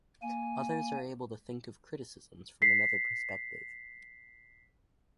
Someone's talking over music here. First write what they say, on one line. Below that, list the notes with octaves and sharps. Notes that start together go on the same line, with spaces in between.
Others are able to think of criticisms from another perspective.
A#3 G#5
B6 C7